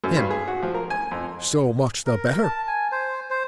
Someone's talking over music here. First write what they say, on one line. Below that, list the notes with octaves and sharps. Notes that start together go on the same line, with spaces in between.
HIM: So much the better.
F#2
G2
G#4
F#4
F3
A#4
G#5
F2
A#4
A5
G#5
C5
C5